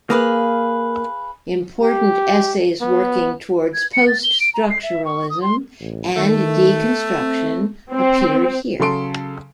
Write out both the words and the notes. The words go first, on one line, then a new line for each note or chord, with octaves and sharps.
Important essays working towards post-structuralism and deconstruction appeared here.
A#3 G#4 B4 F5
G4
B3
G#6
C#7
A6
G7
D7
A#5
C7
E5
C#6
D#6
C6
A1
D#3 A3
C4
C4
C#3 F#3 A4 C6 D7